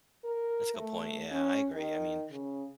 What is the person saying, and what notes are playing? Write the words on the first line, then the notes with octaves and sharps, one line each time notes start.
That's a good point, yeah, I agree. I mean
A#4
A3
C#4
D#3
C#3